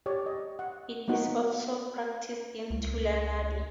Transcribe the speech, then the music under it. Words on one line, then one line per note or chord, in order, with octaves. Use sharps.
It is also practised in Tulunadu.
G4 C#5 D5
D#5
F#5
A#3 B3 D#4 F#4
C#2